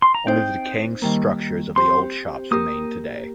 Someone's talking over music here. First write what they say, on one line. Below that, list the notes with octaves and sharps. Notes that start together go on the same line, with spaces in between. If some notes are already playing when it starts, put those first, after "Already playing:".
Only the decaying structures of the old shops remain today.
C6
A#5
C4 D#4 C5 G5
D#3 G3 A#3
C4 G4 C5 C6
A#3 G4 A#4 D#6